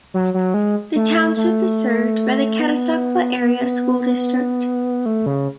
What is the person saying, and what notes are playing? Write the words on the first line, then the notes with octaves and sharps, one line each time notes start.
The Township is served by the Catasauqua Area School District.
F#3
F#3
G#3
A3
A3
B3
A3
C#3